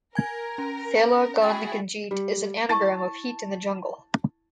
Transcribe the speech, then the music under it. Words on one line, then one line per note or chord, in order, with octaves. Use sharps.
"Thela Hun Ginjeet" is an anagram of "heat in the jungle".
A#4 G#5 G#6
C#4
E4 F#4 G#4 G5 A6
G3
E4 A5 C#6 A6